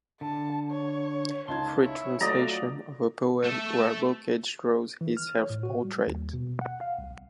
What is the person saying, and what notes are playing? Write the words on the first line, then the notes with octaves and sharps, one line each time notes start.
Free translation of a poem where Bocage draws his self-portrait.
D3 A5
C#5
C#2 D#4 A5 C6 G#6
E4 C#5
F#3 A3 F4 F#4 D5 D#5 A#5
A3 A4
E3
F6
C#5
A2
F#4
G3
D#2
B2
F#5
F5
C2
B1